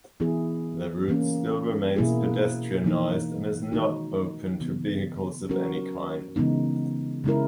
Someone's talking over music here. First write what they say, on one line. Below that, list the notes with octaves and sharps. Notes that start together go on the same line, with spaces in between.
The route still remains pedestrianized and is not open to vehicles of any kind.
E3 B3 E4 G#4
E3 A#3 C#4
B2 A#3 E4 G#4
E3 A#3 D#4
D#3 G#3 D#4 F#4
C#3 E3 B3
F#3 C#4 F#4 A#4
C#3 E3 G#3 B3 D#4
C#3 G#3 C#4 E4 A#4